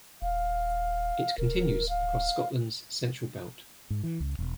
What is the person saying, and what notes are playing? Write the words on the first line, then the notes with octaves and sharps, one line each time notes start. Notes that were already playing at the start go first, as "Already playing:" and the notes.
It continues across Scotland's Central Belt.
D#1 F5
D1 A#4
F5
G#2
E3
C#2
E1